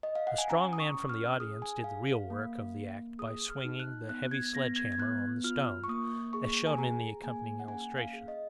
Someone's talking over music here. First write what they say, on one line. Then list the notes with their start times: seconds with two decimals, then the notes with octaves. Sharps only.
A strong man from the audience did the real work of the act by swinging the heavy sledge-hammer on the stone, as shown in the accompanying illustration.
0.03 D#5
0.15 F5
0.27 F#5
0.38 G#5
0.50 C#4 A#5
0.73 D#6
0.80 C#6
0.95 C#4
1.09 F6
1.40 G#4 D#6
1.62 G#5
1.84 G#4 F5
2.08 F5
2.30 A#3
2.74 A#3
3.19 G#4 D#6
3.50 F6
3.65 D#4
3.80 F#6
4.09 B3 F#6
4.31 G#6
4.54 B3 A#6
4.76 G#6
4.92 G#6
4.98 B3 F#6
5.44 F4 F6
5.84 C#6
5.88 A#3 D#6
6.33 G#4 C#6
6.67 G#5
6.78 G#4 A#5
7.23 A#3 G#5
7.60 F#5
7.68 C#4 G#5
7.98 F5
8.13 G#4
8.28 D#5